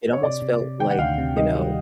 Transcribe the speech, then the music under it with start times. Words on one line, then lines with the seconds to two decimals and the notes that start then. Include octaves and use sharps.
it almost felt like, you know,
0.13 C#5
0.23 C3 D5
0.42 C3
0.61 C3
0.80 D#3 G5
0.90 F#5
0.98 D2 F5
1.18 C3
1.36 D#3 D#5
1.55 G3